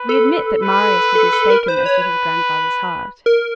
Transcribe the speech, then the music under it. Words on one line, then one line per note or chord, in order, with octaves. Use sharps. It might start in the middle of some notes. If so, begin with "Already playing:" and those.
We admit that Marius was mistaken as to his grandfather's heart.
Already playing: B4
A4
B4
A4
A4
A#4
B4 C5
C#5
A#4